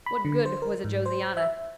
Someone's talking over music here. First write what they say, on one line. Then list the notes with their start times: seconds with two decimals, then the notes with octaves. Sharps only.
What good was a Josiana?
0.06 B5
0.25 D3
0.46 C5
0.62 A#4
0.84 G#2
1.06 C5
1.37 E5